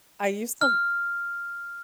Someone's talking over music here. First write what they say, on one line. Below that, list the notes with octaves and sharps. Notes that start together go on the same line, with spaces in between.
I used to l
F6